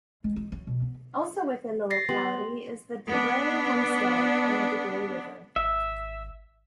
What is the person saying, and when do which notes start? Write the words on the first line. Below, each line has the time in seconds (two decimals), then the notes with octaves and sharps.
Also within the locality is the De Grey homestead, and the De Grey River.
0.24 G#3
0.36 D#4
0.52 F#3
0.67 B2
0.82 B3
1.90 A6 A#6 C7
2.09 B3 G4 C6
3.09 B3 D4
5.56 G#1 E5